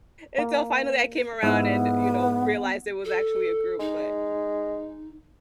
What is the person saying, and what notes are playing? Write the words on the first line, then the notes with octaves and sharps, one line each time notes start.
Until finally, I came around and, you know, realized it was actually a group, but
A#3
G#2 B3 E4
A4
G#3 D#4